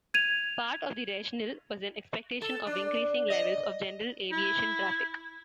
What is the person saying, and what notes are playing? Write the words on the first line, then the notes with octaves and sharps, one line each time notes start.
Part of the rationale was an expectation of increasing levels of general aviation traffic.
G#6 D#7 F7
A4
D4
D#5
E4